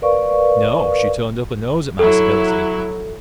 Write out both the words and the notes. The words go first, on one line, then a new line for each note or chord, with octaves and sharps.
No, she turned up her nose at my civility.
A#4 B4 D5 F5 C#6
F#3 E4 A4